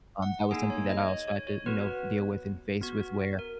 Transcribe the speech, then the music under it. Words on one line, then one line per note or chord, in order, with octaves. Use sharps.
um, that was something that I also had to, you know, deal with and face with where,
F#5
A#3 D#4 G#4 G#5
C#5
D#5
C#5
C#5
C#5
B3 F#4 B4
B3 F#4
A#4